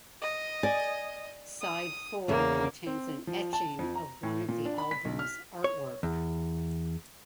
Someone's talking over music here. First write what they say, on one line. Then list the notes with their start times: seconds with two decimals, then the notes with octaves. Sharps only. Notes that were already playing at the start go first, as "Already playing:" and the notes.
Side four contains an etching of one of the album's artwork.
0.22 D#5
0.63 D5 G#5
1.61 D#6
2.28 E2 C#3 A#3
2.87 C4
3.27 F3
3.53 A5
3.79 F2
3.96 A#5
4.23 A2
4.49 A#2
4.65 D4
4.78 B5
4.91 B6
5.05 B1
5.19 F6
5.64 C#5
6.03 E2